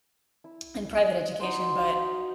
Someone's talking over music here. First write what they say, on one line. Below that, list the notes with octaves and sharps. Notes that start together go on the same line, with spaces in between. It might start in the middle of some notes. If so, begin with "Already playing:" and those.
in private education, but
E4
D#4 F#4 C5